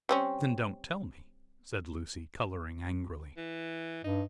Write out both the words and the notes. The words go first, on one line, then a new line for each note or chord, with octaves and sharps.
"Then don't tell me," said Lucy, coloring angrily.
G3 C4 C#4
E3
G2 D#4